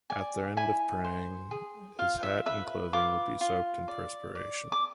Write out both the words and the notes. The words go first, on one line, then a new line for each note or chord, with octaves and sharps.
At the end of praying, his hat and clothing would be soaked in perspiration.
D5 G#5
E4 G#5
C5
G#4
F4 F5
E5
B4 E5
F4 D6
F4
D5
D5
D6